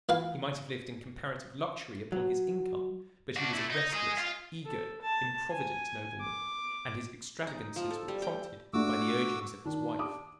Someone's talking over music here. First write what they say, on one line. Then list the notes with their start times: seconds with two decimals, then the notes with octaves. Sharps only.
He might have lived in comparative luxury upon his income; but he was a restless, eager, improvident nobleman, and his extravagances were prompted by the urgings of his wife.
0.09 E3 B4 F5
2.12 F#3
3.36 D4 F#4
3.53 A3 E4
3.70 D#4
3.93 G#4 D#5
4.18 F4 F5
4.66 A4
5.02 A5
5.52 G#5
6.21 D6
7.47 D#4
7.76 F3
7.91 A4
8.08 G3
8.22 G5
8.73 A3 D4 F#4 D6 E6
9.65 D#3 D4
9.99 D6 D#6